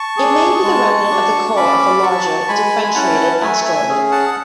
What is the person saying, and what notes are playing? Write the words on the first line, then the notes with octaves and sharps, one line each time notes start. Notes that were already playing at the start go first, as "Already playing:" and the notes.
It may be the remnant of the core of a larger, differentiated asteroid.
Already playing: A5 C#6
D4 G#4
G#3
D4 F#4
C#4 B5 D6
F#4 A5 C#6
G#3 G#5 B5
G#5
C#4 E4 F#5 A5
A3 E5 G#5
E5 G#5
C#4 G#4
F#5 A5